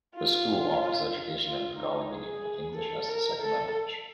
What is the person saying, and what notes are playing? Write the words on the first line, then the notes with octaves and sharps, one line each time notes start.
The school offers education in Bengali medium with English as the second language.
F4
F4
D#4
G#4
A4
A#4
A4